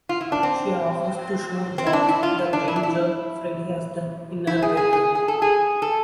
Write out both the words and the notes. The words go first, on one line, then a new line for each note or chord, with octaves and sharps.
She offers to show George the paint job Freddie has done in her bedroom.
F4
E4
D4
C4
C4
E4
D4
E4
F4
E4
D4
E4
D4
E4
E4
G#4
G#4
G#4
G#4
A4
G#4
A4